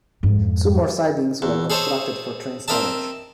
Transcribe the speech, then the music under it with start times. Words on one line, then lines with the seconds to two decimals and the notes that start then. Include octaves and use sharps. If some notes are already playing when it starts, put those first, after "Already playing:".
Two more sidings were constructed for train storage.
0.23 F2 G#2
1.42 E2
1.70 G#4 A4 C5 C#5 D#5
2.68 C4 A#4 D#5 E5 A5